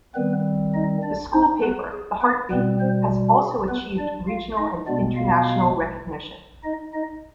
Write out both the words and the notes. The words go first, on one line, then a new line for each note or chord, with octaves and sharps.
The school paper, The Heart Beat, has also achieved regional and international recognition.
D#3 G3 B3 C4 B4
D#4 D#5
D4 D5
C4 C5
B3 B4
G#4
B3 B4
B2 G3 B3 C4 B4
C4 C5
G#4
B3 B4
D4 D5
F4 F5
D#4 D#5
B2 G#3 B3 D4 D5
F4 F5
D#4 D#5
D#4 D#5